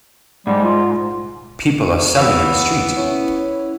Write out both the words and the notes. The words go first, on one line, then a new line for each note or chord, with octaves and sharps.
People are selling in the street.
G#2 G3
F4
E3 B3
C#4 E4 C#5